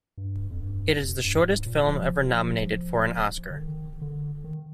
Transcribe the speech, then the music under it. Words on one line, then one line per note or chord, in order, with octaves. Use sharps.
It is the shortest film ever nominated for an Oscar.
G2
F2
G2
F2
G2
G#2
A#2
F3
F3
D3
D#3
D3
D#3